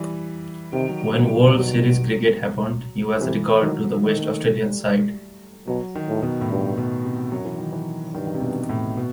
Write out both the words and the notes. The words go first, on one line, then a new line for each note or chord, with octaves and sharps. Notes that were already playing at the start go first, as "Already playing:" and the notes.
When World Series Cricket happened he was recalled to the West Australian side.
Already playing: E3 G3
C3 D#3
F#3
G3
B2
G3
B2 F#3
C3 E3
D#3 F#3
D#3 A3
A3
A3
G3
B2 F#3
D#3
A2
B2
A2
G2 B2
B2
C3
F#2 F#3
E3
D#3
E3
G2 D#3
D#3
C3
B2
A2
B2